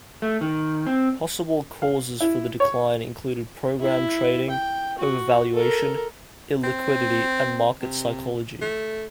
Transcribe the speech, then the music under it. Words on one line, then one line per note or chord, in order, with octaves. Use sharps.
Possible causes for the decline included program trading, overvaluation, illiquidity and market psychology.
A3
D#3
C4
F5
E4
C#5
E4
G5
F#4
A4 A#4
C4
C3
A3